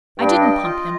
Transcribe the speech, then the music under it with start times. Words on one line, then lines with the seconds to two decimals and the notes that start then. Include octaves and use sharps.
I didn't pump him.
0.18 G2 G5
0.41 D#5
0.63 F4